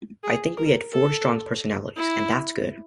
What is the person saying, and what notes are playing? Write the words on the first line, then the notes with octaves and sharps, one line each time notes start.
I think we had four strong personalities, and that's good.
G#4
A#4
A4
E4